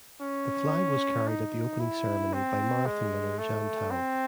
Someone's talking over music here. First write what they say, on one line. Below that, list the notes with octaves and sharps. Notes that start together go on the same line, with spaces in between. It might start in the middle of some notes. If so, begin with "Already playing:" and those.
The flag was carried at the opening ceremony by marathon runner Jan Tau.
C#4
D#4
E4
C4
G#3
A3
C4